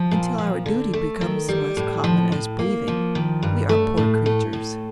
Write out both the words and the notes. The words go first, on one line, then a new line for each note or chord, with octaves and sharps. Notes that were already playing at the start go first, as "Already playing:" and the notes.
Until our duty becomes to us common as breathing, we are poor creatures.
Already playing: F3
A#2
F3
D3
A3
D#3
G3
A2
F3
A2
A#3
F3
D#3
G2
A3
A2
A3
A2